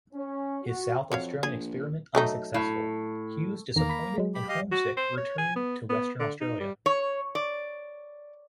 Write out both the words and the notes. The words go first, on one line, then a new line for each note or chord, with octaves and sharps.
His South Australian experiment unsuccessful, Hughes-disappointed and homesick-returned to Western Australia.
C#4
F#4
F2 F#3 C#5 F5
A#1 G#4
F#3 A3 D#4
A2
E2 D#3 A#3 A#5
B5 B6
F#3 G#3
G4 B5
G4 D#5 F5
F#4
C5
C#5
G#5
B3
B3
D3
D#4
G3
C#5
D5